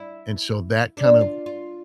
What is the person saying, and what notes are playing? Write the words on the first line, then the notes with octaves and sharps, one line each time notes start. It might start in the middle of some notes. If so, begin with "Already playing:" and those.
and so that kind of,
Already playing: E4
D4
F4
F4